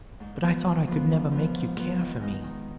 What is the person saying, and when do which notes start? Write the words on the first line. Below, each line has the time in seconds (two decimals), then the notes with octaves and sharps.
But I thought I could never make you care for me.
0.20 G#2
0.42 F3 B3
0.65 G#2
0.87 F3 B3
1.10 G#2
1.32 F3 B3
1.54 G#2
1.77 F3 B3
1.99 D#3
2.21 G#3 D#4
2.44 D#3